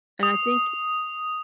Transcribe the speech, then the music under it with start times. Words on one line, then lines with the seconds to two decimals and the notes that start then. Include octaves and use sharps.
and I think
0.23 D#6